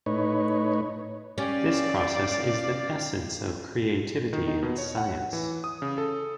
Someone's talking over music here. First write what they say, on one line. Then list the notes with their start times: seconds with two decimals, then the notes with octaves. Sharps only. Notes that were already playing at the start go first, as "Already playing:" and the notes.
This process is the essence of creativity in science.
0.06 A2 D#4 B4 C#5
1.38 C#4 G4 D5 F5
4.33 D#3
4.47 D#4
4.63 B2
4.78 C#5
4.97 F#5
5.33 E3
5.64 D#6
5.82 C#3
5.98 A4